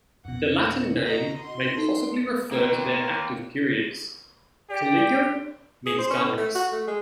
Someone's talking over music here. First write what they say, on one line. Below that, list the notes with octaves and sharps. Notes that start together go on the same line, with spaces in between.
The Latin name may possibly refer to their active periods; "caligo" means darkness.
F2 B2 F#5
F#4 D#5 A#5
C6
D#4 A4
A#3 G5
G4 D5
G#4
C5
C#4
A2
A3
F#4
A3
G#3